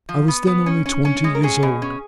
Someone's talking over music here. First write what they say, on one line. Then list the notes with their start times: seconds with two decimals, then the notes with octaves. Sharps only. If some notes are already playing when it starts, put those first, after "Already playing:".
I was then only twenty years old.
0.09 F3
0.28 B3
0.47 B3
0.66 C#4
0.86 C#4
1.05 C#4
1.24 G#3
1.35 A#4
1.43 C#4 G#4
1.63 B2
1.82 C#4